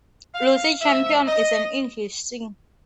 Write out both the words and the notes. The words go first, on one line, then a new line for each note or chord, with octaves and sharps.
Lucy Champion is an English singer.
F5
G#2 F3 G#3 E5
D#5